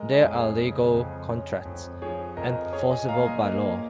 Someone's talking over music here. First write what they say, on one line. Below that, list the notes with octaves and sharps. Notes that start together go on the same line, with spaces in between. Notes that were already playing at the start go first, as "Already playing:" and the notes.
There are legal contracts, enforceable by law.
Already playing: G#3 A#4 D#5
G#4 C#5
F2
G#4 C#5
C#3
F2
C#4
F2
F3 G#4 C#5
F2 A#4 D#5
C#4 G#4 C#5
D#5 G#5
A#2 F5 A#5
D#5 G#5
A#3